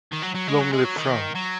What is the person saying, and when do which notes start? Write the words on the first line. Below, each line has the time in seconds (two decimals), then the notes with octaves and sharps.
Long live France!
0.13 D#3
0.23 F#3
0.35 F#3
0.48 G#3
0.61 F#3
0.73 G#3
0.85 F#3
0.98 D#3
1.36 F#3